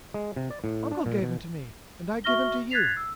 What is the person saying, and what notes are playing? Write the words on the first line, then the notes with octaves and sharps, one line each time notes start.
Uncle gave him to me, and I give him to you.
G#3
C3
D5
A2
D4
A#2
B2
F#4 E5 C#6 F6 A#6 G7
F#6 G#6 A6 B6 C7 F7
E6